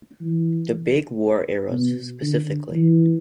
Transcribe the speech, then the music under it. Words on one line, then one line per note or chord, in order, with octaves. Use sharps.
The big war eras, specifically.
E3
B2
D3
E3